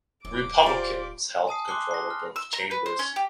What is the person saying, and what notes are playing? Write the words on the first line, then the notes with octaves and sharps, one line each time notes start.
Republicans held control of both chambers.
D1 F#2 D6
F4 G4 C5 D5 G#5
G#5 A5 D#6 C7
C6 D6 F#6 C7 G7
A#6 C7
F6
E6
A#5
B4
C5
C#4
G4